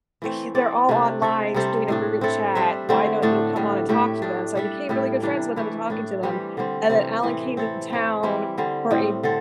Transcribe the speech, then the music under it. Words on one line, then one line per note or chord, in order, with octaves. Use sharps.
he they're all online doing a group chat, why don't you come on and talk to them?" So I became really good friends with them, talking to them, and then Alan came to town for a
E3 A3 C4
C4 A4 D5
C3 A3 D4
C4 E4 A4 E5
C3 G3 C4 A4
A2 A3 D4
C4 E4 A4
G3 D4 C5 E5
D3 A3 C4 E4
A2 A3 D4 A4
A2 G3 D4
A2 A3 E4 G4
A2 G3 D4
G3 D4 A4 E5
A2 G3 E4 A4
C3 E3 G3 D4
E3 A3 E4
A2 A3 D4
E3 G3 C4 G4
D3 G3 C4
C3 E3 G3 C4
A2 E3 C4
C4 E4 A4
C4 E4 C5
E3 G3 C4 E4
D3 G3 C4
A2 G3 C4
D3 C4 A4